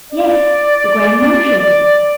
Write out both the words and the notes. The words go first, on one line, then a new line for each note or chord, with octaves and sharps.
"Yes; the grand marshal did."
D5
D5